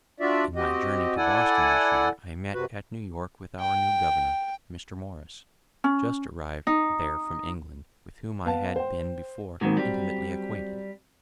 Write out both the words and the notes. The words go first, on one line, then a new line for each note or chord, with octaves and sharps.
In my journey to Boston this year, I met at New York with our new governor, Mr. Morris, just arriv'd there from England, with whom I had been before intimately acquainted.
D4 F4 F#4 D5 E5
C4 F#4 G4 D#5
E4 A4 D5 F#5 G#5
F#2 C3 F#4 B4
G5
C#4
D#4
B3 F5 A5
C5 G5
D#2 G#2 D#3 F#3 C4
G3